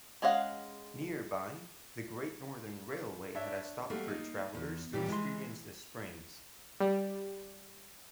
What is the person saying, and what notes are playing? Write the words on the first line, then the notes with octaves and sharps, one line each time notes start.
Nearby, the Great Northern Railway had a stop for travelers to experience the springs.
G#3 C#4 D#5 F5 F#5
D4 C#5 E5
G3 A3 A#3 F#4
D#4
E2
A#2 E3 G3 C#4 G4
E3 G#3 C6
G3